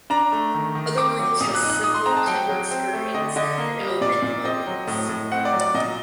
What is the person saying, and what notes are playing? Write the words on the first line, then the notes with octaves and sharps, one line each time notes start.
Other rooms have simple timber skirtings and omit the mouldings.
D4 A#5
A3
D#3
D#3
C4 D6
F#3
A#2 D#6
F#6
D#4
F#6
D#4 D#6
C6
C4 A#5
A5
F#3 G5
F#3
C4
A3
D3 D#5
D3 D#5
A#3
G3
A#2 D5
A#2
C4 D#5
F#3
A2
A2
C4 F#5
D5
F#3
D5
A#2 D#5